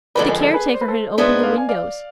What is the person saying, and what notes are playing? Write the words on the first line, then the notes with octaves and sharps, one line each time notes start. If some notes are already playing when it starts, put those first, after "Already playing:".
The caretaker had opened the windows.
F2 D3 F3 G#3 C4 B4 D5
G#4 B4
A4
G#4 B4
D5
C5
B4
A4 C5
G#2 G#3 B3 D4 G#4 C5 E5
D5 F5
G#5
D5 F5